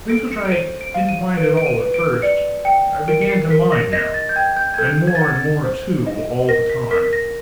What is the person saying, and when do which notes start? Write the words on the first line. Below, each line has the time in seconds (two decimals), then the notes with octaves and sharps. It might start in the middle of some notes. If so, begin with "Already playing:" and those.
Things which I didn't mind at all, at first, I began to mind now--and more and more, too, all the time.
0.10 A4 D7
0.32 C#7
0.45 D7
0.52 C5 D#7
0.81 D7
0.94 F5
1.09 D#7
1.37 B4 D7
1.57 D7
1.66 D#7
1.80 B4
1.94 D7
2.22 D5 C#7
2.65 G5 C#7
3.08 A#4 D7
3.21 C#7
3.29 C7
3.50 A#4 B6
3.72 A#6
3.93 D#5 A#6
4.14 A6
4.29 G6
4.36 G5 G#6
4.57 G6
4.74 G#6
4.78 A4 G6
5.07 G#6
5.15 A6
5.22 F#5 G#6
5.36 A6
5.64 C5
6.06 D#5
6.48 A#4 A#6
6.70 B6
6.91 A#4 B6
7.02 B6
7.13 A#6